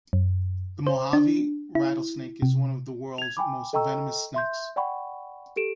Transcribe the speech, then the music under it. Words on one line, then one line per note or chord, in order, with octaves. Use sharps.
The Mojave rattlesnake is one of the world's most venomous snakes.
F#2
C5
D4
E4
C3
G#6 F7
G5 G#5 B5 D6
A4 D#5 G5 A#5 C#6 E6
E5 C6 G6
D5 F#5 G5 B5 C#6
G4 A4 D7 E7